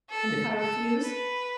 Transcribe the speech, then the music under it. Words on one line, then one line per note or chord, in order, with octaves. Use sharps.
"And if I refuse?"
A4
A4
B4